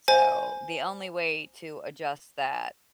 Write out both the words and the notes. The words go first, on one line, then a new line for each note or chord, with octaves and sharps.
So, the only way to adjust that
C5 G#5